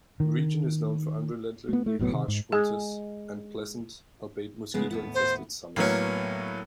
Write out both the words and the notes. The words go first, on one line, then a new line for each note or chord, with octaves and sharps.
The region is known for unrelentingly harsh winters, and pleasant, albeit mosquito-infested summers.
D#3
A3 B3
A3
F1 A2 F#3 B3
C3 D#3
G#2
G#3 G#4
C#3 G#3 B3
D#2 A2 B3
C5
A2 F#3 A#3 B3 C#4